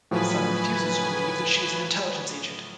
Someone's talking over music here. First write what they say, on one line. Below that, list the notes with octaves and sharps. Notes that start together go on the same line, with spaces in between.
His son refuses to believe that she is an intelligence agent.
A2 F3 F#3 B4 G#5